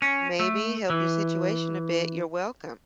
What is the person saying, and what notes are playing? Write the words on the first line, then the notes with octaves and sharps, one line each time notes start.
maybe help your situation a bit, you're welcome.
C#4
A3
E3